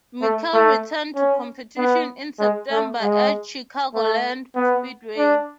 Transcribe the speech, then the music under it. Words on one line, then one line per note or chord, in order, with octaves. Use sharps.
McClure returned to competition in September at Chicagoland Speedway.
A3
A3
C#4
B3
G#3
A3
G#3
A3
B3
D4